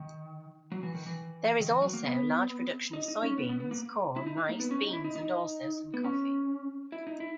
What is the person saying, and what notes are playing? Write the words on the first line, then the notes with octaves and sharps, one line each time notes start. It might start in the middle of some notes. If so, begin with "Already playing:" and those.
There is also large production of soybeans, corn, rice, beans, and also some coffee.
Already playing: D#3
F#3
E3
D#3
E3
D#3
E3
F#3
A#3
B3
D#4
D#4
C#4
B3
B3
B3
A#3
E4
D#4
D#4
A#3
B3
C#4
D#4
E4
D#4
D#4
B3
C#4
E4
D#4
E4